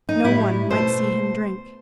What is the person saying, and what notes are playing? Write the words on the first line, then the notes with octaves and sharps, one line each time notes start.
No one might see him drink.
D#4
A2 G3 E4
B2 A3 C5